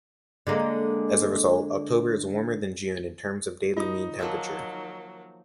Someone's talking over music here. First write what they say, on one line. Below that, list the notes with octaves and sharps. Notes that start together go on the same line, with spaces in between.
As a result, October is warmer than June in terms of daily mean temperature.
D3 G#3 A#3
D#4 F4 D#6
D#3 F3 F#3 A#3 E5